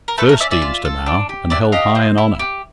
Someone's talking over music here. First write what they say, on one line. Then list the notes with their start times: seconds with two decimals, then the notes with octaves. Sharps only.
First Deemster now, and held high in honour!
0.08 A#4
0.18 A3 A4 B4
0.29 A#4
0.40 C#4 D5 E5
0.51 D5 E5
0.62 F4
0.85 A4
1.06 D4
1.29 G4
1.50 D4 D5 E5
1.72 G4 D#5 F5
1.95 C4
2.18 E4
2.39 G4